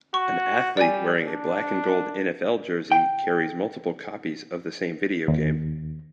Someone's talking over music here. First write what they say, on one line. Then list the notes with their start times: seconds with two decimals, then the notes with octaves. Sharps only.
An athlete wearing a black and gold NFL jersey carries multiple copies of the same video game.
0.14 F#4 C#6
0.77 G3 D5 G#5
1.27 D4
2.92 G5
5.28 D#2